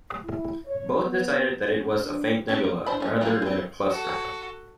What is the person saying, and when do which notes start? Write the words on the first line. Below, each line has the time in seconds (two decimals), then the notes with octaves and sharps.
Both decided that it was a faint nebula rather than a cluster.
0.24 E4
0.65 C#5
1.05 B3
1.68 C#4
2.00 D4
2.48 C4 C#4 G4
2.64 A#3
2.86 D4 E4 C5 A5 B5
3.00 A3 C4 C#4
3.21 F#3 G#3 A#3 F4 F#4
3.42 E3 C4
3.90 F#4 A4